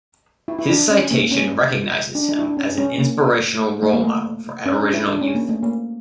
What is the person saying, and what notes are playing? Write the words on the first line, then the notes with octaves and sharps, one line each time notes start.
His citation recognizes him as an inspirational role model for Aboriginal youth.
E4
E4
D4
C#4
A#3
C#4
D4
D4
E4
D4
C#4
C#4
A#3
A3
A#3
A3
C#4
D4
E4
D4
C#4
A#3
A3
A#3